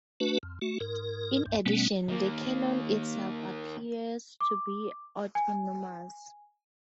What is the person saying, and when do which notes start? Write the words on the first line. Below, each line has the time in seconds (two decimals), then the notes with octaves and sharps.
In addition, the cannon itself appears to be autonomous.
0.20 A3 D4 F#4 B4
0.43 F2
0.62 A3 F#4
0.80 G#2 A#4
1.46 C2 G2
1.66 B2 G3 A3 B3 C#4
2.09 D#3 A#3
4.41 D6
5.35 G#5